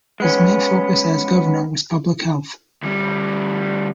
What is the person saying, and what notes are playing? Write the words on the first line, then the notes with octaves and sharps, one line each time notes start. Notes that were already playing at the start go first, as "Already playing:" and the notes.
His main focus as governor was public health.
G#3 B3 C#4
D2 G3